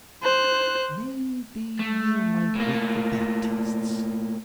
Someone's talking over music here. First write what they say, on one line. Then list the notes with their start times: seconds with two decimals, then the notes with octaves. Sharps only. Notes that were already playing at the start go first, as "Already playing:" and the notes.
"May be you went with the Baptists?"
0.23 C5 F#6
1.79 A3
2.56 A2 A#3